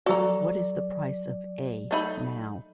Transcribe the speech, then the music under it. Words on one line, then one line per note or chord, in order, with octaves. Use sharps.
What is the price of "A" now?
F#3 F#4 A4 D5 A#5
A3 D#4 B5